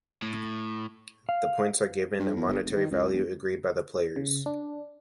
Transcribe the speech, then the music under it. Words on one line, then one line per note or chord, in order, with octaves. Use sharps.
The points are given a monetary value agreed by the players.
A2
F5
G2
E2
G1
F1
D#3
C#2
E1
C#3
D4